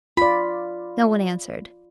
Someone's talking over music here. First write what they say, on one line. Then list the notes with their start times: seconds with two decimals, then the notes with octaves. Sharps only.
No one answered.
0.17 F4 D5 B5